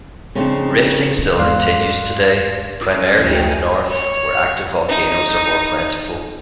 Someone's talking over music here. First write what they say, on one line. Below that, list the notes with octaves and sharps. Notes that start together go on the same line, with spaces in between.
Rifting still continues today; primarily in the north, where active volcanoes are more plentiful.
C#3 F3 A3 C4 D4 D#4
E2 G#2 D5 F5 C6 F#6
F4 A#4
C#4
D2 F3
D#5 G5
G#5
C#5
D#4